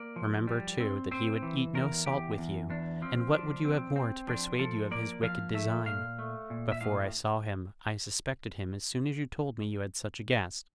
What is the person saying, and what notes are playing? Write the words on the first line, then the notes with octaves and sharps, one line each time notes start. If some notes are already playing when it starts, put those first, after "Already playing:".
Remember, too, that he would eat no salt with you; and what would you have more to persuade you of his wicked design? Before I saw him, I suspected him as soon as you told me you had such a guest.
Already playing: A#3 D5
F3
G3
C4
C4 C5
E3
E2 A#4
E2 G4
E2
E2 D4
F3 C4
F3 D4
C4
C4
F3 D4
F3 A4
A#3 D5
F3 F5
A3 E5
A#2 F5
A3
A#2
E5
A2 F5